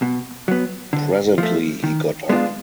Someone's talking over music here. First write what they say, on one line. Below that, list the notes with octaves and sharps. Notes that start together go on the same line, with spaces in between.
Presently he got up.
B2
F#3 B3
D3
F3
A3
D#3
G#3 B3 D4 F4